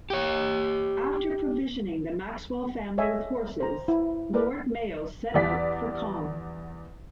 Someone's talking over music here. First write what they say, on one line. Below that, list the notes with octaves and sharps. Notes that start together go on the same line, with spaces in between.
After provisioning the Maxwell family with horses, Lord Mayo set out for Cong.
G4 C#5
G#4 A4 C#5 D#5 E5 G#5
C5 A#5
E4
A#3 A#4 B4 D5
E2 G3 D5 F#5 B6